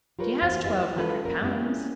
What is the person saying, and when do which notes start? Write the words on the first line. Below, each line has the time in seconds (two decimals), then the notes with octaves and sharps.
"She has twelve hundred pounds."
0.19 F4 G4 A#4 B4 C#5
0.42 E2 F#4 C5 F5 F#5 G#5
0.64 E4 G4 G#4 B4 D#5 E5
0.96 G#3 C#4 F4 A4 B4
1.25 A#3 A#4
1.41 G3 G#3 C#4 E4 G4